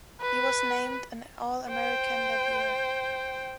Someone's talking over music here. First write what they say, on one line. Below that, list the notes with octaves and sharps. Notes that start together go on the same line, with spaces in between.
He was named an All American that year.
B4
C5 G5